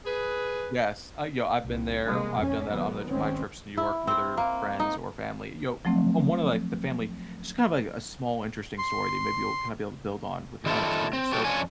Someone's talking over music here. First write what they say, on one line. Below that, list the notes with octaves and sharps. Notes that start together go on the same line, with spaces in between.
Yes, I, yo I've been there. I've done that on the my trips to New York with her friends or family. Yo, m I'm one of, like, the family it's kind of a a small interesting story that maybe you'll kinda be able to build on with your own experience. So,
G#4 B4
C2
C3 G#3 A#3
A#1 F2 C#4
A#2 D#3 F#3 B3
G#1 G#3 C4 C#4
E4
C4
A#3
D#4
F3 F#3 A3 C4
C6
D#3 G3 E4 F4 A4
C4
G3 F#4 A4 G5
F2 C#4 D4 F4 G#5